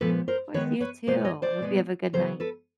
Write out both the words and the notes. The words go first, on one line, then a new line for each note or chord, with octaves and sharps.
Of course, you too! I hope you have a good night.
A#2 F3 G#3 B3 A4 B4
A#4 C5
D#3 G#3 B3 B4 C#5
B4 C#5
B2 G#3 B3 C5 D5
C#5 D#5
C5 D5
B2 G#3 B3
C#3 F#3 B3 A#4 C5
A4 B4